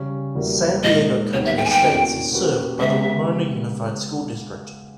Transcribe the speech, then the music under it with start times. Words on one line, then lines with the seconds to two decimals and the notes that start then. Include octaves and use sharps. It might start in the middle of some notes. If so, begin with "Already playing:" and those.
San Diego Country Estates is served by the Ramona Unified School District.
Already playing: C#3 G3 C#4
0.35 E2 B2 G3 A#3 E4
0.83 A#2 G#3 D#4 A#4 D#5
1.33 D#2 D#3 G3 B3 D#4 C#5
1.45 E5
1.57 G5
1.64 G#5
1.69 G5
1.82 E2 B2 A#3 C#4
2.31 B2 A#3 C#4 G4 B4
2.80 C#3 G#3 B3 G4 E5